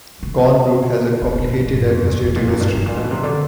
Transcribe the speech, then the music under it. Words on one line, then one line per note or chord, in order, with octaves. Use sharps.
Colnbrook has a complicated administrative history.
C#3
C3
C3
B2
A#2
G2
F2
E2
E2
F2
F#2
G2
A2
A#2
B2
C3
D3